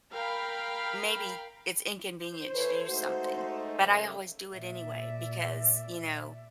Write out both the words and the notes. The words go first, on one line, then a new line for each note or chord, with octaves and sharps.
maybe it's inconvenient to do something, but I always do it anyway because, you know,
A#4 F5 G5 B5
C5
E3 A4 B4 C#5
G#3 A3 D#4 F#4
F#2 C#3 A3
A#2 D5 E5